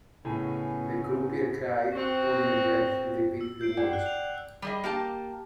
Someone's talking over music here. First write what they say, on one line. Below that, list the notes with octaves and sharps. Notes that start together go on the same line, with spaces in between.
The croupier cried, all in a breath - and repeated the words.
A2 C#3 B3 C#4 G#4 G#5
C4 F#4
E6
G6 C7 D7
D5 F#5 G5
F#6
F7
G3 G#4 D#5
A#3 G4 A5